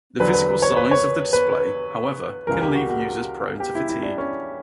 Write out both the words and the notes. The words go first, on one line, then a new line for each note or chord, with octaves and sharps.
The physical size of the display, however, can leave users prone to fatigue.
E2 D3 F#3 B4
B4
B4
C#5
B4
C#5
B4
C#2 C#3 E3 G3 A#4
G4
F#4
F#4
G4
E4
E4
D4
C#4